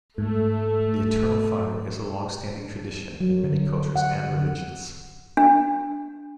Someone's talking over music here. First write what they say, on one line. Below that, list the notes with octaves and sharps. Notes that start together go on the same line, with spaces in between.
The eternal fire is a long-standing tradition in many cultures and religions.
G#2 A3
D4
F#3
D3
F#5
D3
D4